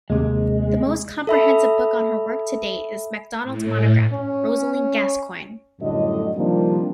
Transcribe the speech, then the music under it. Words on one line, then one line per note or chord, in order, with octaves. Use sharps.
The most comprehensive book on her work to date is MacDonald's monograph "Rosalie Gascoigne".
D#2 C3 G#3
A4 E5 B5
A2
C#4
F#2 A2 D3 G3 F#4 D#5
C3 D#3 F3 G3 A#3 D4